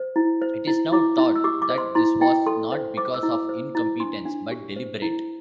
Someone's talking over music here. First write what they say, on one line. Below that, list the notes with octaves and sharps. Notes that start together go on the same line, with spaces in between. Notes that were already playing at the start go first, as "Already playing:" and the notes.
It is now thought that this was not because of incompetence, but deliberate.
Already playing: C5
E4
C5
E4
E4 D6
E4
E6
G4 D6
D6
C5
C6
E4 C6
E4 G5
A4 C6
C5
C5 D6
E6
E4
D6
C5
E4
D4 C6
D4
G4
C5
E4